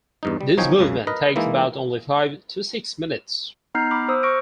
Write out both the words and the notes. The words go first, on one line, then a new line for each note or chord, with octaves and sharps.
This movement takes about only five to six minutes.
E2 G2 D#4
G3
B1 F3 D#4 C#5 G5 G#5
C#2 F#2 C#3
A#4 B4 D#5
E3 G#3 A#3 D#4 E4
B3 D#4 A#5 F6 G6 C7
B5 D6 F6
C5 D#6 E6
C#6 F6 A#6 D7